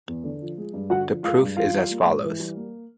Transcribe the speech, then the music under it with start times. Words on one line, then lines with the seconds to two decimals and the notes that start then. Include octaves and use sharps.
The proof is as follows.
0.08 E2
0.24 D3
0.41 F3
0.58 G#3
0.74 G2
0.90 D3 F#4 F#5
1.08 F3
1.23 G#3 F4 F5
1.41 G2
1.56 E3 F4 F5
1.73 G3
1.90 A#3
2.06 G#2
2.24 E3
2.39 G3
2.56 A#3